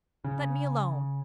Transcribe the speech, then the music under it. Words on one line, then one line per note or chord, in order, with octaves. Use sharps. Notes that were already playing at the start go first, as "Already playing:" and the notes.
Let me alone.
C#3